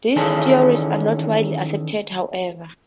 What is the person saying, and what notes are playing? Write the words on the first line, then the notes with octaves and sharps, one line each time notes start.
These theories are not widely accepted, however.
D#3 E3 C#4 G#4 A4